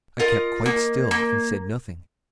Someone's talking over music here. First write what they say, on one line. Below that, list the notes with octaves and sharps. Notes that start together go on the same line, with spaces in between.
I kept quite still and said nothing.
F4 A#4 D#5
A#3
A#3